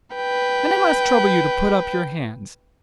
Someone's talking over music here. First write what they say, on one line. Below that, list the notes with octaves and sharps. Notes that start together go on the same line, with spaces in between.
And--I must trouble you to put up your hands.
B4 G5